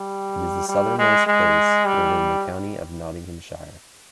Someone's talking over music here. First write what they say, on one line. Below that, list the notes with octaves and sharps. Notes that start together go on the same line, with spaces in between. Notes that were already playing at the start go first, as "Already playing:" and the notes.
It is the southernmost place within the county of Nottinghamshire.
Already playing: G3
G3
G#3
G#3
G3